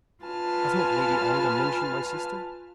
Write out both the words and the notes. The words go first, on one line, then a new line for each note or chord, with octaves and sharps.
Has not Lady Ongar mentioned my sister?
F4 B4 G#5 A5 F6